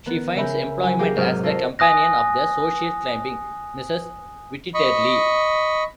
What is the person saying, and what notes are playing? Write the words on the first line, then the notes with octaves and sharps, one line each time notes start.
She finds employment as the companion of the social-climbing Mrs Wittiterly.
D#3 B3
C#3 A#4 E5 G#5 B5 G6
F#3 G#5
G4 G#4 A#4 F5 G5
G#2 C3 F#3 G4 D#6 F6
F4 A4 A#4 F5
G#5 D#6 F#6 A#6
D#5 B5 C#6